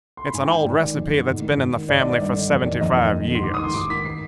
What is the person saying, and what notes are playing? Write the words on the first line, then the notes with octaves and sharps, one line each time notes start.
It's an old recipe that's been in the family for seventy-five years.
C6
B5
G#2 G#5
G5
D#3
G#2 D5
D#3
F2
D3
G#2
D#3
G#2
D#3
G#2 D5
D#3 D#5
D5
G2 D#5
D3 D5
F2 D#5
D#3 D5
F2 D#5
D#3
F2
D3
C6
G#2 D6
D#6
D#3 C6
G#2 D6
D#3 B6
C7